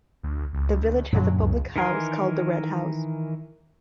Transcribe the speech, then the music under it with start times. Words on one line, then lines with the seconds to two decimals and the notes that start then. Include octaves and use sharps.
The village has a public house called the 'Red House'.
0.23 D2
0.53 C#2
0.81 D2
1.13 F#2 A#2 D3 F#3
1.38 C#2
1.76 D#3 E3 A#4 G#5 C6